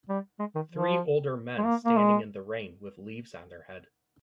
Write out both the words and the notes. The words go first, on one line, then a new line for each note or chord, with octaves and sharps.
Three older men standing in the rain with leaves on their head.
G3
G#3
D#3
F3
G#3
A#3
A#3
G#3